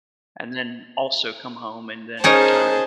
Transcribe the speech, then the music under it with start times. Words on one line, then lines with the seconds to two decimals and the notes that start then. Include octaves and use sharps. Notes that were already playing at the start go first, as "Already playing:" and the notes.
and then also come home, and then have time.
2.24 C#4 D#4 G#4 A#4 C5 A5